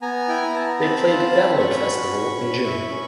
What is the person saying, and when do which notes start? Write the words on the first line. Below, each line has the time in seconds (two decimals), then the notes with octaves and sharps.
They played Download Festival in June.
0.02 B3 G#5 A#5
0.28 E4 G5
0.42 G#5
0.54 B3 A5
0.68 A#5
0.81 C4 A5 B5
1.07 F4
1.33 C4
1.59 C#4 B5 C#6
1.85 F#4
2.10 C#4
2.37 C#4
2.64 E4
2.89 C#4